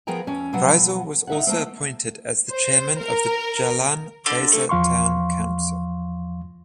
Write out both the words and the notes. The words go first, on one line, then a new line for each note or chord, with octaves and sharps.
Rizal was also appointed as the chairman of the Jalan Besar Town Council.
F3 B3 G#4 A#4 G5 A#5
F2 C#4
B2 F3 F#3 B3 F#5
D#4 E5 F#5
E3 A3 A#3 C4
C5
A#4
E2 F3 F5 C6 C#6